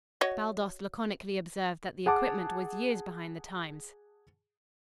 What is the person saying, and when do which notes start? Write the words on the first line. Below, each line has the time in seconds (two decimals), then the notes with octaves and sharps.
Baldos laconically observed that the equipment was years behind the times.
0.21 F#4 C#5 D#5
2.06 G#4 F#5 A5 D6